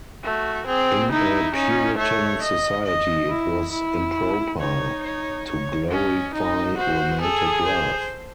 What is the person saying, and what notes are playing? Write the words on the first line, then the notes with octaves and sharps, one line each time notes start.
In a Puritan society it was improper to glorify romantic love.
A3 F#4
C4 G#4
D#4 E4
C#4 D#4
A3 C#5
D#5
D#5
E4
E4
D#4 C#5
C#5
C#5
C#4 D#5
D#4 D#5
F#4 C5
G#4 A4
C5